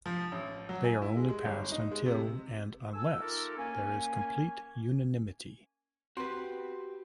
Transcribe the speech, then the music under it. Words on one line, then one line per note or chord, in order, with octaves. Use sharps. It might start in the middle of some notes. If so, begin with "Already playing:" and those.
They are only passed until and unless there is complete unanimity.
F3
A1
F#3
G#5
E4
G#3
G#3
G1
D#4
G#3
C3
A4 G#5 E6
A3 D#4 F4 G4 A4 A#4
A#3 C#4 G#5
C4 F#4 G4 B4 C6